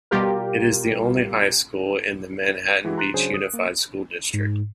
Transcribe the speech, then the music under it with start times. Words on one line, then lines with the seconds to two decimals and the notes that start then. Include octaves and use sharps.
It is the only high school in the Manhattan Beach Unified School District.
0.11 B2 G3 F4 G4 A#4
2.85 E3 G#3 E4 F#4 G4
2.98 A#5 C6 F#6 A6
3.14 C#3 F#3 D4 G#4 C5
3.34 D#6
3.53 A#3
4.34 G#2